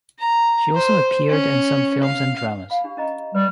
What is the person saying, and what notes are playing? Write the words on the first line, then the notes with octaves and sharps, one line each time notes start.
She also appeared in some films and dramas.
A#5
C5
C#4
F5
F5 B5
D4 G4
C#4 D#5 A#5
G3 B4